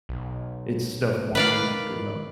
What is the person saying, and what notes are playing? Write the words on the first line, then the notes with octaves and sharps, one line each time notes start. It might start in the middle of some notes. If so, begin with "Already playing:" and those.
It's stuff that I'm insecure about.
B1
D#3 B4 D5 F5